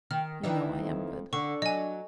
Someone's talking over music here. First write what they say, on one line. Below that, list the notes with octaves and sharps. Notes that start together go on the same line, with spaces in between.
You know I am good.
D#3 F6
D#3 E3 D4 D#4
F2
D3 D4 C#6
F#3 D#5 G#5